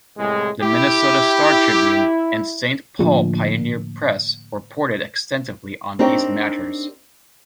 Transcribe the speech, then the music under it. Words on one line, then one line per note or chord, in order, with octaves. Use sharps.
The "Minnesota Star Tribune" and "Saint Paul Pioneer Press" reported extensively on these matters.
C2 A2 G#3
E4 G4
A2 D3 F3 A#3
C4 D4 D#4 G4 A#4 C#5